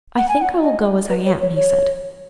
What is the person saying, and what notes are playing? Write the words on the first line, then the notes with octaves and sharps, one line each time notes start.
"I think I will go as I am," he said.
F#5
G#5
F#5
D#5
B4
C#5
C#5
C#5